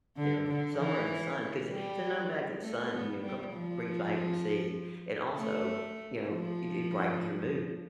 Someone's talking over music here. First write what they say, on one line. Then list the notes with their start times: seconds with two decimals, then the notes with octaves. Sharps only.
You know? Summer and sun, 'cause i it's a known fact that sun, you know, ca brings Vitamin C. And, also, you know, it it brightens your mood.
0.17 D3
0.48 D3
0.78 E3
1.70 G3
2.61 A3
2.92 B3
3.22 G3
3.54 F3
5.37 A3
6.28 F3